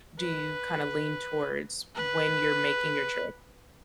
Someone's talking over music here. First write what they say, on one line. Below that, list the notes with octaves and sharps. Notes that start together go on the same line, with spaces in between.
do you kind of lean towards when you're making your trip?
B4
B4